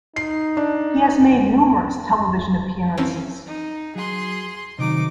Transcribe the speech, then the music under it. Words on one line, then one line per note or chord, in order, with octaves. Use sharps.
He has made numerous television appearances.
D#4 C7
D4
E3 C4 C#4
D#4
F#3 G#4 C6
C3 D#3 F#3 D#4 D6